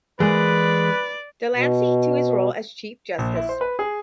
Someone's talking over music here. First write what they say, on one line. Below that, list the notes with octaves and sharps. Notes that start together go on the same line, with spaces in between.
De Lancey to his role as Chief Justice.
E3 G#3 A#3 B4 D5 G#5
B2
A#1
E4
C5
B4
G#4